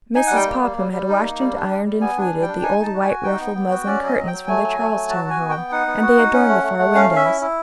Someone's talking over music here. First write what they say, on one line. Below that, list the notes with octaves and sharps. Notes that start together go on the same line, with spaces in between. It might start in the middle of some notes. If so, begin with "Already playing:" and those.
Mrs. Popham had washed and ironed and fluted the old white ruffled muslin curtains from the Charlestown home, and they adorned the four windows.
D#4 G#5
G3 F#5
G5
A#3
G3
G3
G3
D#4
A#3
G3
D4
G3
G3
B3 G#5
D4 G#5
G3
G5
D4
D#4 G#5
D#4 A5
F#4
F#4 G#5
D#4 G5
B3
B3
F#4
C#4 D5
F#3 D#5
F#3
F#3 G5
A3 G#5
F#3
A3
F#3
F#4 A5
F#4
G#5
B3
G5
B3
D#4 F#5
B3
F#4
D#4
C#4
A3
A3
A3
C#4 F5
C#4
E5
E4
E4